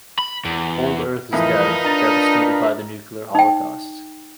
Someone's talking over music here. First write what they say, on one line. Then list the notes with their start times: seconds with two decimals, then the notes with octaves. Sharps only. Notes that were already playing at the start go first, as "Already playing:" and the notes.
Old Earth is dead, devastated by the nuclear holocausts.
0.19 B5
0.45 E2
1.33 F2 A2 E3 D#4 F4 A#4 B4
1.85 D4 A#5 A6
3.35 D#4 G5